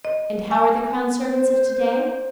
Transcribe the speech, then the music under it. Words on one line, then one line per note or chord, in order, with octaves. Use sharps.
And how are the crown servants of to-day?
D#5
G#5 A5
C5